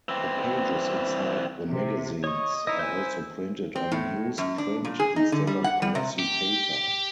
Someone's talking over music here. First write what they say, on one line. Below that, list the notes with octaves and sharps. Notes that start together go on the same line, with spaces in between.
The pages inside the magazines are also printed on newsprint instead of glossy paper.
E3 C4
C3
C#5 D#5 C#6
D#4 E4 D#5
C5 G#5
C4
A2
F#2
D4
A#2
G#4
D#4
D3
G3
F#5
G3
C3
G4